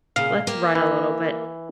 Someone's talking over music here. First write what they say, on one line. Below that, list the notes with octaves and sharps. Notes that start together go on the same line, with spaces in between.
"Let's run a little bit
A#2 C#3 F5
A#3 G4
E3